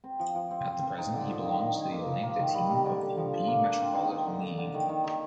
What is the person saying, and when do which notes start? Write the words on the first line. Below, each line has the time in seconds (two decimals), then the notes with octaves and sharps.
At the present, he belongs to the Atlanta team of the B Metropolitan League.
0.04 C4
0.20 F3
0.35 F3
0.51 C4
0.67 C4
0.83 C4
0.98 D#4
1.13 D3
1.30 F3
1.45 D#3
1.60 D#3
1.76 D#3
1.92 A#3
2.08 F3
2.23 A#3
2.39 D#3
2.54 G3
2.70 D#3
2.86 D3
3.01 D3
3.17 F3
3.33 F3
3.48 A#3
3.64 D4
3.80 C4
3.95 D#3
4.10 D#3
4.26 D3
4.42 D3
4.58 D3
4.74 D#3
4.89 D#3
5.04 D#3